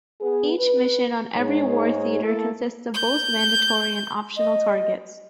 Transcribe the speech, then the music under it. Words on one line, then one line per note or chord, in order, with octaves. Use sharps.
Each mission on every war theatre consists of both mandatory and optional targets.
B3 G#4
B4
G#2 G#3 D#4 G#4 C#5
A3 A#3 E4 A4
G6
D#5